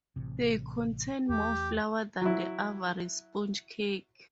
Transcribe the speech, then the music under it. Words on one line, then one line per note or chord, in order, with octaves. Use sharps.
They contain more flour than the average sponge cake.
A1 C3
E2 A3 G4
F#3 E4